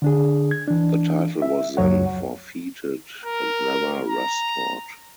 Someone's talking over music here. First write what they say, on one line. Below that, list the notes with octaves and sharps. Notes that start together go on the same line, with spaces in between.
The title was then forfeited and never restored.
D3 D4 G#4
G#6
E3 D4
E5
C#2 F#2 F#3 C#5 F#5
A#4
A#5